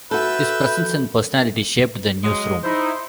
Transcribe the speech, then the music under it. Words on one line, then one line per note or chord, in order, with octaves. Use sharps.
His presence and personality shaped the newsroom.
F#4 A4 B4 E5 G6
F#3 G#3
D#4 E4 C5